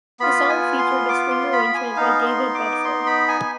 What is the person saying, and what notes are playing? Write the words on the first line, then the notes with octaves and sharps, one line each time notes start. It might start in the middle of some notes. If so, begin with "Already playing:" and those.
The song featured a string arrangement by David Bedford.
B3 F4 B5
G#5
C6
D6
C6
B5
G#5
B3 D#4 F5
C6
D6
C6
B5
G#5